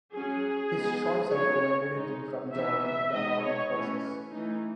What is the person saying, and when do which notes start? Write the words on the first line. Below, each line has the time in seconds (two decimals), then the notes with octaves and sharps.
His short sight prevented him from joining the Armed Forces.
0.15 F#3 C#4 G#4
0.75 G#3 B3 D#4
1.33 F#3 B3 D#4 C#5
1.93 G#3 D#4
2.53 E3 B3 D#4 E5
2.82 E5
3.12 G#3 D#4 D#5
3.41 C#5
3.72 E3 A3 C#4
4.31 E3 A3 D#4